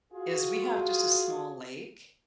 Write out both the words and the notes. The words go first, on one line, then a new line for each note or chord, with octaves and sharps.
is we have just a small lake,
F4 F#4 G#4